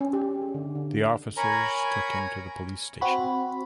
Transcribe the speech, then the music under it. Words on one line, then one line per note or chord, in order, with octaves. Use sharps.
The officers took him to the police station.
C#4
G4
G#4
D3
D3
A#4 C#5 G#5 A#5 B5
C4 F#4 B5